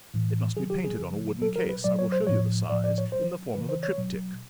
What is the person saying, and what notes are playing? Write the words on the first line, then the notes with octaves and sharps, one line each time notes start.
It must be painted on a wooden case--I will show you the size--in the form of a triptych.
A2 E3
C3 D#3 F#3 G#4
G4
G#4
C#3 F3
B2 F#3 A4
A#4
B4
B2 F#3 D5
C#5
C5
A2 F3 C#5
A2 F3 D5
D5
C#5
B2 F#3 C5
C#3 E3 B4
C5
C#5
B2 F#3